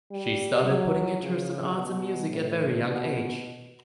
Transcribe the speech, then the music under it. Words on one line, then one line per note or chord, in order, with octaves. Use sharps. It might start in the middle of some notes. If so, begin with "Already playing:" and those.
She started putting interests in arts and music at very young age.
G3
F#3
C#3
B2
A2
B2